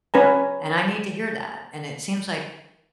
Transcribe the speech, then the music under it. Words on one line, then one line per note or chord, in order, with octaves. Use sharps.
And I need to hear that, and it seems like
C#4 B4 G#5 A#5